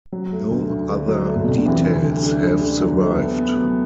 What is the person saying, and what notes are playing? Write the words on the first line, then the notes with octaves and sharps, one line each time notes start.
No other details have survived.
F#3
A3
D2
D2
D3
F#3
A3
A2
B2
C3 A3
D3
C3 E3 A3
D2
D2
D3
D3
D3
F#3
A3
B3
B3
F#3